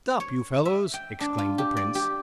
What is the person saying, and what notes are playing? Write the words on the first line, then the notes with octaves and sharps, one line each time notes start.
"Stop, you fellows!" exclaimed the prince.
C#5
E5
G5
D4
F4
G4
D5
G4